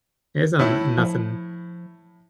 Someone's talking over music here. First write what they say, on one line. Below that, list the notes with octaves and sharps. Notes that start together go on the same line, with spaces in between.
it's not nothing,
A2 E4
F3